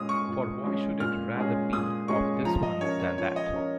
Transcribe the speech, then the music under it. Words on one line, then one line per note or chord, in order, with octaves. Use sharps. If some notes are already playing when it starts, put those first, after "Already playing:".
For why should it rather be of this one than that?
Already playing: A#2 G#3 C#4 G#4 D#6 F6
C#6
A#2
G#3 C#4 G#4
A#2 F6
G#3 C#4 G#4
A#2 D#6
G#3 C#4 G#4 C#6
F3 A#5
D#5
C#4 A#4 C#5
C#5
F3 C#5
D#5
C#4 A#4